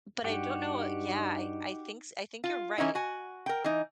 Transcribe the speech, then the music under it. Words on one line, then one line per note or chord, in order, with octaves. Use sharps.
But I don't know i Yeah, I I thinks I think you're right,
G2 D#4 F#4 G4
F4
E3 C#4 D#4 E4
F#4 G#5
A#4 G5
E3 D#4